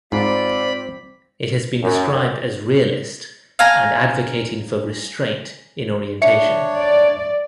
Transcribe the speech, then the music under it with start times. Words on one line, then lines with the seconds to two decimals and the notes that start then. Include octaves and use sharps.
It has been described as "realist" and advocating for "restraint" in orientation.
0.12 G#2 C4 F4 D5 B5
1.83 F#2
3.59 F5 G#5 A#5
6.22 D4 C#5 E5 C#7
6.78 D5